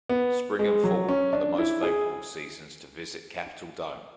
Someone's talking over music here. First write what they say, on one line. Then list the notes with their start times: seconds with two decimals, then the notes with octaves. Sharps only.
Spring and fall are the most favorable seasons to visit Capitol Dome.
0.09 B3
0.59 G#3
0.84 F#3
1.09 C#4
1.33 D4
1.58 E4
1.83 G#4